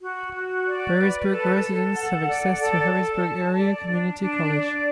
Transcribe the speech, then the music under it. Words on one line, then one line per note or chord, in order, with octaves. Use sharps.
Berrysburg residents have access to Harrisburg Area Community College.
F#4
F#4
D5
B4
A4
A4
F#5
D5
A4
A4
A5
D5
D4
D4
D5